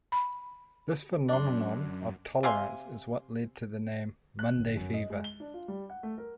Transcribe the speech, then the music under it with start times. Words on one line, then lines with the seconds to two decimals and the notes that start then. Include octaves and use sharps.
This phenomenon of tolerance is what led to the name "Monday Fever".
0.12 B5
1.29 F#2 D4 C6
2.43 C3 F5 G#5 C6
4.39 F#6
4.57 G1
4.77 F#2
4.94 D#5
5.10 G#3
5.24 G7
5.40 D4
5.54 F4
5.68 G3
5.90 F#5
6.03 A3
6.18 A#4